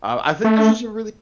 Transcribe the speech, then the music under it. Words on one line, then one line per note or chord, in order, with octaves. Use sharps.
I w I think this is a really
A3